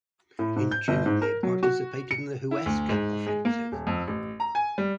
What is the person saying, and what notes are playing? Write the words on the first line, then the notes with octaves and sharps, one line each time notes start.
In June it participated in the Huesca Offensive.
A2
G#2
G6
G1
G#2
A#4
F#3
F#4
C#7
E4
D2
G#2
G#3
A#3
D#1
F2
A1
A#5
G#5
G3